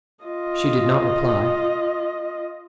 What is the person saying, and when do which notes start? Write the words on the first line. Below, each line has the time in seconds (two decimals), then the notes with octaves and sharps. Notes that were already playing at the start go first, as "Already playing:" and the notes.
She did not reply.
0.25 F4 D#5